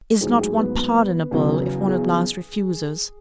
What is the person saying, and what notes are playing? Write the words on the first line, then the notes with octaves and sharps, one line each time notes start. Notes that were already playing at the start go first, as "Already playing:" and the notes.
Is not one pardonable, if one at last refuses!
A1 G#2 F#3 G#4
G#4
B3 B4
B3 B4
E2 C#3 F#3
G#4